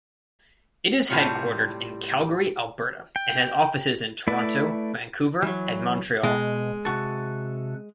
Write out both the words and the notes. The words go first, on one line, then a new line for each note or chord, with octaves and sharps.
It is headquartered in Calgary, Alberta and has offices in Toronto, Vancouver, and Montreal.
A2 C3 G3 F4 C#5
G5
A3 E4 B4 D5
E3 F#3
B2 G#3
C3 F#4 A4